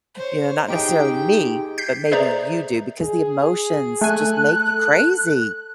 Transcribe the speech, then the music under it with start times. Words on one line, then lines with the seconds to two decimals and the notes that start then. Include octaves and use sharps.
you know, not necessarily me, but maybe you do because the emotions just make you crazy,
0.16 C5 C#5
0.68 D#4 G4 G#4 G5
1.78 G6 B6 C7
2.12 G#4 B4 C5 D5 E5 A#5
3.01 G#4
4.01 A3 A4 G#5 F#6